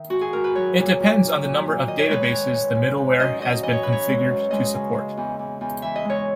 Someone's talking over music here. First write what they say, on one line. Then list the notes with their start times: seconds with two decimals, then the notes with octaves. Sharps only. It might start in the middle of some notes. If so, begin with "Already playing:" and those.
It depends on the number of databases the middleware has been configured to support.
Already playing: D#3 E5
0.10 G#2 F#4
0.21 G#4
0.33 G#2 A#4
0.44 B4
0.55 F#3 C#5
0.78 A#2
1.00 A#2
1.22 F#3
1.43 A#2
1.66 A#2
1.87 D#3 D#5
1.99 C#5
2.09 G#3 B4
2.23 C#5
2.31 G#2
2.54 G#2
2.75 G#2
2.97 G#2
3.19 F#2 D#5
3.41 F#2 D#5
3.63 E3 D#5
3.73 C#5
3.83 F#2 B4
3.92 C#5
4.07 G#3
4.29 F#2
4.51 G#3 D#5
4.74 C#3
4.94 G#3
5.17 E2
5.39 E2
5.61 E2
5.82 E3 E5
5.96 D#5
6.05 G#3 C#5